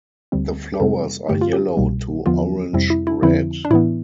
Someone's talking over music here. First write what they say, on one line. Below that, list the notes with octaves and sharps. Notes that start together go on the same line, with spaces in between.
The flowers are yellow to orange-red.
D2 D3 G3 C4
G4
F2 C3 G3 C4 A4
G2 D3 A3 G4
F4
G4
C2 B2 G3
E2 D3 F3 B3 F4
F2 C3 G3 C4 E4
E4
E4
F2 D3 F3 C4 E4
D4
A2 E3 B3 E4